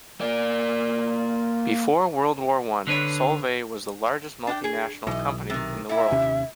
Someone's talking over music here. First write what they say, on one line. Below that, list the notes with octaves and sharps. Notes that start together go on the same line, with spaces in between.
Before World War One, Solvay was the largest multinational company in the world.
A#3 D5
D3 D4 B4 C#5
D4 F#5 G5
G#4
B1 E3 D#5
C3 D#3
A#2 E4 E5
D#2 C3 C#4